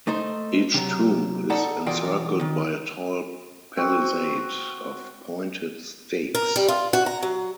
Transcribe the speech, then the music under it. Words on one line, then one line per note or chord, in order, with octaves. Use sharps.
Each tomb is encircled by a tall palisade of pointed stakes.
A3 D#4 C5
C3 F#3
D#4 A4 D5 F#5 A5
E2 B2 F4 A#4 D5 G5
D#3
C4 F#4
A#4
G3
F4
F#4
A#5
F#3